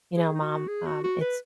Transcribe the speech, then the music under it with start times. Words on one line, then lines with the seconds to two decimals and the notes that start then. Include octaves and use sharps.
"You know, mom, um, it's
0.16 G#4
0.35 D#4
0.42 F#4
0.68 G#4
0.86 F#4
1.04 F#4
1.21 B4